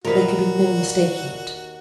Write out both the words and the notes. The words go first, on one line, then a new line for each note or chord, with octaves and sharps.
There could be no mistaking it.
D#2 A#2 D#3 F#4 A#4 B4 A#5